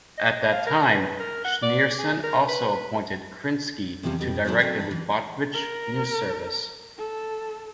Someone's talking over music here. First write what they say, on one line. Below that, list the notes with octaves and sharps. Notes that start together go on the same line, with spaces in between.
At that time, Schneerson also appointed Krinsky to direct the Lubavitch News Service.
D#5
F5
A#4
B4
A#4
F#5
D5
G#4
A#4
B4
E2 C3 F3 G3 C#4
F2 G3 B4
G#2 B2 F#3 A#3 C#4 D4
F#3 A3 C4
D4 A4
E3
A#4
A4